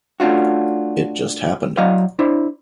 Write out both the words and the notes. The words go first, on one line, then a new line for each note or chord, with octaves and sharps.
It just happened.
A3 C#4 D4 F4 F#4
F#3 E4 D5 D#5 F5
D4 E4 C5